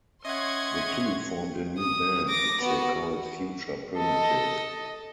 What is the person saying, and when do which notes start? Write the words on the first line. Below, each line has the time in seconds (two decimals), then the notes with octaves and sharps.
The two formed a new band which they called Future Primitive.
0.25 C#4 D#5 E5 F#5 C6 C#6 G#6
1.78 D#6
2.29 D6 A#6
2.62 B3 F#4
3.97 A4 D#5